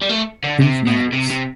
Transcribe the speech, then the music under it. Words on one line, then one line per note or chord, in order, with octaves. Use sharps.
Truth matters.
G3
A3
D3
C3
B2
C3
C3